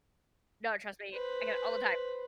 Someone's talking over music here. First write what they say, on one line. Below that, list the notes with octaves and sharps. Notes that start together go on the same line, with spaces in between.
No, trust me, I get it all the time,
B4 C5